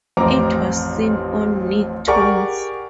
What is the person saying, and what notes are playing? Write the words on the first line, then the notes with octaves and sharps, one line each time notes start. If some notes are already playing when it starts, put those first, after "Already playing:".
It was seen on Nicktoons.
A1 F2 C4 A#5 D6
G4 G#4 A#4 D5 F#5 C#6